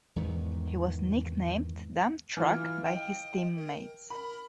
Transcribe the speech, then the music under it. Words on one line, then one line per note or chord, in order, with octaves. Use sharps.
He was nicknamed "Dump Truck" by his teammates.
E2 G#2 D#3 E3
E3 F4 F6
D#5 G5
A#4
A#4 B5